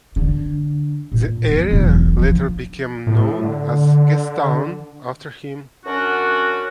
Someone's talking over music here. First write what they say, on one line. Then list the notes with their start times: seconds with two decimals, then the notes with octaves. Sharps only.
The area later became known as Gastown after him.
0.16 D3
1.12 A#2
1.47 F2 B3
1.71 E1 B1
2.19 F3
3.07 A2
3.44 D3
5.85 F#2 C#4 D4 F#4